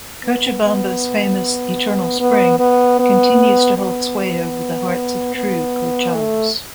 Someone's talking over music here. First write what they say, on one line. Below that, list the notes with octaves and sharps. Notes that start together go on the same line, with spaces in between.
Cochabamba's famous "Eternal Spring" continues to hold sway over the hearts of true Cochalos.
B3
B3
B3
B3
B3
B3
B3
A3